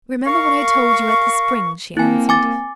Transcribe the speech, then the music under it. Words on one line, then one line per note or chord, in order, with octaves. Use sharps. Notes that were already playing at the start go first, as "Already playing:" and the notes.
"Remember what I told you at the spring," she answered.
A#4 F5 C#6
A#3 C4 E4 G#5
G#5 D6 A6